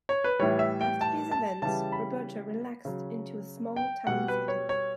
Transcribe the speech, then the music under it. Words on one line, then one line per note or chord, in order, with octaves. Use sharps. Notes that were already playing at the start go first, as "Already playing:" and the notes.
After these events, Roberta relaxed into a more small-town setting.
C#5
B4
A2 E3 G3 C#5
E5
G5
A5
A5
C#3 E3 G3 A5
B5
C#3 F#3
G5
B2 G3 F#5
B4
C#5
C#5